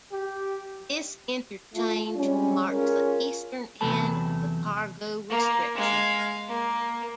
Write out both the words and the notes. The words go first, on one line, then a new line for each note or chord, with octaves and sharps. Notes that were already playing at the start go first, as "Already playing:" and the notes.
This interchange marks the eastern end of the cargo restrictions.
G4
A3 F4
G3 G#3 C4 C#4
C#4 F4 G#4 A#4
E2 C3 F#3 A3 B4 A5
A#3
G#3 F5
A#3